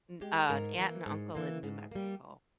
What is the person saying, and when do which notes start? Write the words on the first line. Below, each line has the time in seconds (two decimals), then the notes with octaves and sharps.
mm an aunt and uncle in New Mexico.
0.21 G#3 G4
0.49 G#2 A#4
0.78 E3 A#3
1.06 G#2
1.35 E3 A#3
1.63 G#2
1.91 G3 A#3